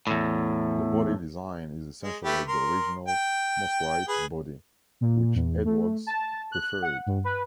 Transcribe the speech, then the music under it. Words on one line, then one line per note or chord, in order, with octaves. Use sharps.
The body design is essentially the original Mosrite body, which Edwards preferred.
E2 A2
G#3
A3 G4 B4
A#4 C6
G5
G#4 B4
A#2
E2
A3
A5
F#6
F#5
G2
B4